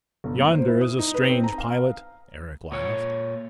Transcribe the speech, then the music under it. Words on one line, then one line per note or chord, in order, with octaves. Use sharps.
"Yonder is a strange pilot," Eric laughed.
G1
A#3
C5
E4
D#6
D#4
B4
C4
A#5
F5
A#2 C#5